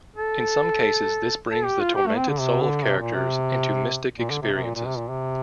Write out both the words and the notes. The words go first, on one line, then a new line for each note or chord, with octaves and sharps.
In some cases this brings the tormented soul of characters into mystic experiences.
A4
A4
G4
F4
G4
A3
C4
D3
C3
D3
C3
A#2
C3
A#2
D3
C3
C3
A#2
A#2
C3
A#2
C3